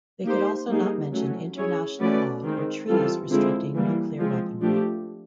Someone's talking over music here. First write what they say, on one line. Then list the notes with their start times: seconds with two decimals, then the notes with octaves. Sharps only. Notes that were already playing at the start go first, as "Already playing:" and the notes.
They could also not mention international law or treaties restricting nuclear weaponry.
0.25 A#3 D#4 G4 C5
0.69 G3 A#3 D#4 G#4
1.12 F#3 A3 C#4
1.56 C#4 E4 G#4 C#5
1.99 A3 C#4 F#4 B4 D5
2.43 D#3 G#3 C4
2.87 E3 G3 C4 F4 A4
3.30 D3 F3 G#3 C4 E4
3.74 E3 G3 A#3
4.19 F3 G#3 C4
4.61 F3 A3 D4 G4